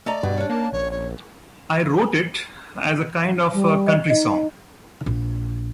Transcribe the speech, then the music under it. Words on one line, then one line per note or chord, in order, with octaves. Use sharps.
I wrote it as a kind of a country song.
A3 D5 D#5 A#5
G2 B2
C#4 D4
A#3 A5
A#1 C#5
C#5
G3
D#5
D#4 D#5
A#1